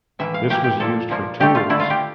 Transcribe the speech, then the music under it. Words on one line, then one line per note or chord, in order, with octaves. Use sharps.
This was used for tools.
A2 E3 A#3 E5
F5
A2 E3 A#3 G4
G4
A#2 F3 A#3 A4
A#2 F3 A#3
D3 A3 G4
F4
D3 A3 E4
F4
G4